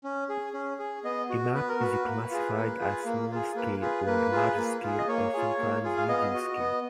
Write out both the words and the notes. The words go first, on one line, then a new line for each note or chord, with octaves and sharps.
A map is classified as small scale or large scale or sometimes medium scale.
C#4
G#4
C#4
G#4
B3 D#5
F#4
B3 B4
A#4
F#4 B4
A#3
F4 G#4
A#3
F4 G#4
A#3
F4 G#4
A#3 B4
F4 G#4 B4
A#3 B4
F4 G#4
A#3
F4 G#4
D#5
A#3 C#5
F4 G#4
A#3
F4 G#4
F5
B3 D#5
F#4
B3